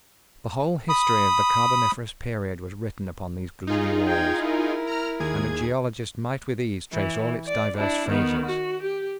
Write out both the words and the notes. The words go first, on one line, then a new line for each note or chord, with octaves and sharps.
The whole history of the carboniferous period was written upon these gloomy walls, and a geologist might with ease trace all its diverse phases.
B5 D#6
D#4 F4 G#4
G5 G#6
E4 A#4
A#5 F6
D#2 G#4 G#6
E3
D5
D4 E4
D#3 B3
F#4
G4